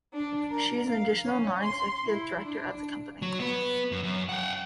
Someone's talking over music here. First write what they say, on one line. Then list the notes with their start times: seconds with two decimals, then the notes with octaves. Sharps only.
She is an additional non-executive director of the company.
0.12 D4
0.49 A#4
0.89 F5
1.25 C#4
1.63 C6
2.05 E4
2.45 D4
3.22 F#3
3.40 B3 B4
3.92 F#2
4.04 F#2
4.29 F#5 G5